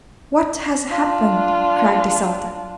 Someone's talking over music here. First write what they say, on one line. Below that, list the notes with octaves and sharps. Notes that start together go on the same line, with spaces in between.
What has happened?' cried the Sultan.
D4 F4